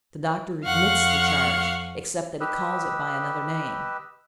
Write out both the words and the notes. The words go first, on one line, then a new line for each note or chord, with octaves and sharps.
The doctor admits the charge, except that he calls it by another name.
F2 F5 F#5 C#6
G4 B4 D#5 E6